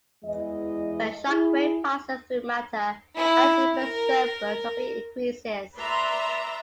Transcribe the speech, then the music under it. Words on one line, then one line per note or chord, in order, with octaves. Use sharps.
When a shock wave passes through matter, energy is preserved but entropy increases.
E2 E3 G#3 D#5
E4 G#4
E4
A#4
B4 D5 E5 A#5 C6